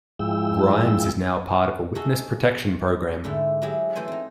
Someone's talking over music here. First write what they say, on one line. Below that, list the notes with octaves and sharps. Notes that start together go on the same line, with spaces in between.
Grimes is now part of a witness protection program.
G#2 F3 G#3 E4 G5 E6
D#4 F#4 G#4 A4
G#2 D3 A3 E4
F#3 E4 G4 G#4
E3 A3 C5 G#5
C4 D#4